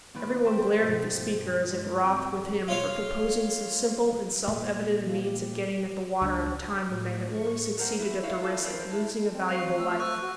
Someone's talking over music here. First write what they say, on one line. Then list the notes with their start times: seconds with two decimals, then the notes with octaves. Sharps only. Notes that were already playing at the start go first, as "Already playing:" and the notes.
Every one glared at the speaker as if wroth with him for proposing so simple and self-evident a means of getting at the water at a time when they had only succeeded at the risk of losing a valuable life.
0.15 A#2 D#3 B4
0.45 G4 C5
0.79 G2 B2 F3
1.34 G2
1.70 G#2
2.04 C3 G5
2.68 F4 C#5 F5
4.48 A#2 A3
5.02 F3
5.22 G4
6.21 C#2 D4
6.87 A2
7.28 C#6
7.77 G#3 A#3 A#4 C5 F#5
7.99 E4 F#4
8.23 D#4 E4 C#5 F5
8.42 E4 F4 A4
8.62 E3 F3 G#3 C4 A#4
8.91 A2 E4
9.32 C4
9.48 F5 C#6 F7
9.79 A3 E6
10.00 C#6 E6 F#6
10.21 F#4